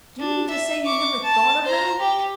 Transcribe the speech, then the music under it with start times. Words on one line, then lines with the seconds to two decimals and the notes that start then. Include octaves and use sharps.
Do you mean to say you never thought of that?
0.19 D4
0.50 E5
0.85 C#6 D6
1.23 A5
1.65 C5 A#5
1.99 G4